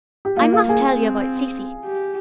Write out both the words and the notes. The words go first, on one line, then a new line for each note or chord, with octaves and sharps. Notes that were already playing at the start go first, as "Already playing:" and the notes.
I must tell you about Cecy.
G4
A#3 F4
F4
G#4
C4
G4